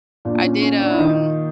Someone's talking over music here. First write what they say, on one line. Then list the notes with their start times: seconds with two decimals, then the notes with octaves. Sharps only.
I did, um
0.25 A#2 D4
0.43 C#4
0.62 C#4
0.79 D4
0.90 E4
0.98 D#3 D#4